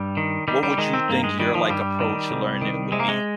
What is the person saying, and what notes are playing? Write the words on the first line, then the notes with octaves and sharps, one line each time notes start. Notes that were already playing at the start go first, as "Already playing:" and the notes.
What would you think your, like, approach to learning it would be?
Already playing: G2 G3
D#3
D#3 G3
G3
D#3 G#3
C4
G2 A#3
G#3
D#3 G3
F3
G2 G3
D#3
C2
D#3
C3 G#3
A#3
G#3